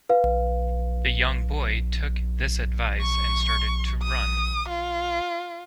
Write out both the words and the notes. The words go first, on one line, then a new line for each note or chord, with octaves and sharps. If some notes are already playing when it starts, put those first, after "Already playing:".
The young boy took this advice and started to run.
B4 F5
C#6
D#6
F4